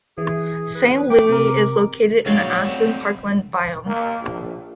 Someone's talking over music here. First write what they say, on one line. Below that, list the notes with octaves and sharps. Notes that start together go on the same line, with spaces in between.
Saint Louis is located in the aspen parkland biome.
E3 G#4
B4
G5 D6
C3 A#4
A#2 F#3 G#3 D5 F5 G5
A3 C4
A#3
A#1